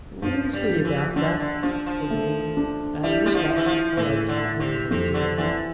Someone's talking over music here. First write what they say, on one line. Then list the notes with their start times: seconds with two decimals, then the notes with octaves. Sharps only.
"We will see about that," said the woman, and with that they ate something and went to bed.
0.22 G2 F3
0.53 G3
0.70 F3
0.85 E3
1.16 D3 D4
1.40 D3
1.63 F3 D4
1.86 F3
2.10 A3
2.57 D4
3.03 G3 E4
3.26 G3
3.35 F3
3.50 E4
3.57 E3
3.66 F3
3.97 A2 E3
4.29 D3
4.45 E4
4.60 C3
4.91 F2 C3
5.14 D3
5.38 D3 E3